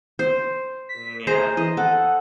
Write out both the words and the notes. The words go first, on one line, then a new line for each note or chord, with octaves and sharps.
Mm, yeah.
C5
B6
G#4 C5 D#5 A#5
E3 D#5
A4 F#5